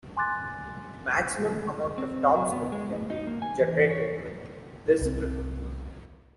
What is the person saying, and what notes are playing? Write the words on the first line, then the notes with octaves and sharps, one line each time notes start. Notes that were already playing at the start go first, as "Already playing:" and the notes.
The maximum amount of topspin can be generated with this grip.
G#5 C6 D6 F#6 A6
C4
F#3
B3
G#3
A2
D#4
A#3
G#5
E3
C#5
C2 C4